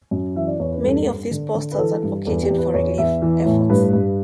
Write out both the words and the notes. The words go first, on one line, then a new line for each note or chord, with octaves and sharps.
Many of these posters advocated for relief efforts.
F#2
E3 E5
D5
E2 C#5
B4
G2 A4
G2
D3
D3
B4
E3 A4
G2
E2 A4
G4
E2
B4
E2 C#5
E2 E5
E3
A2
G2 B4
G2